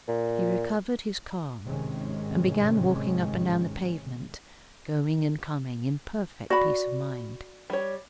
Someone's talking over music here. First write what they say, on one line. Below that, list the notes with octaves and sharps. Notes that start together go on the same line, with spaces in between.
He recovered his calm, and began walking up and down the pavement, going and coming, in perfect peace of mind.
A#2
G#1 A2 C3 D#3 G#3 C#4
F#4 D5 B5
G3 C#5